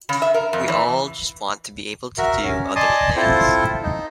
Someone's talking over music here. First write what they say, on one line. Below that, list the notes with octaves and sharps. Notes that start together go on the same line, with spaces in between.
We all just want to be able to do other things.
C#3
E5
A#4
F2
E3
F#4 A#4 E5
C#4
D5 D#5 G#5 A5 C6 D#6
C4 E4 F4 A4 C5
D#4